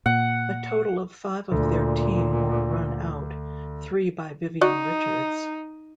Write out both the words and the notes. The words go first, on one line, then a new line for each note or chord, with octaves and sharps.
A total of five of their team were run out, three by Vivian Richards.
A#2 F#5
D2 A#2
D#4 F#4 D5 D#5